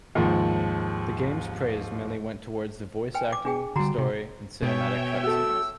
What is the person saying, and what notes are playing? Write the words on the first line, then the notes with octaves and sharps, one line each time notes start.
The game's praise mainly went towards the voice acting, story, and cinematic cutscenes.
D#2 G#2 F3
B4 G5 G#5
D6
D4 G#4 G5
D3 G3 F#4 A#5
C3
B2 C#5 E5 G5 G#5
F#4 A4 E6